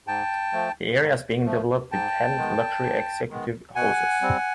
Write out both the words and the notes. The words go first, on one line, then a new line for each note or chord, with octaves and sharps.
The area is being developed with ten luxury executive houses.
G#2 G5 A5
F3 A3
G#2
F3 A3
G#2 G5 A5
D#3 G#3 B3
G#2
D#3 G#3 B3
B2 F#5 G#5
G3 C4